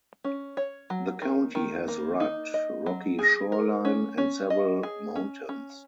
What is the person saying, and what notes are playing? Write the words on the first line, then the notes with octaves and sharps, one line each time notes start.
The county has rugged, rocky shoreline and several mountains.
C#4
C#5
F#3
D#3
D#3
A#3
D#4
D#5
F#3
G#4
A#4
C#4
C#4
D#5
G#4
C#4
C#4